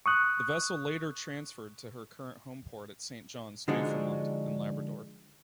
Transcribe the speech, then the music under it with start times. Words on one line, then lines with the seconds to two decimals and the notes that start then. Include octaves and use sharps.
The vessel later transferred to her current homeport at Saint John's, Newfoundland and Labrador.
0.06 C#6 D#6 F#6
3.68 D3 F3 G#3 D4 D#4 F#4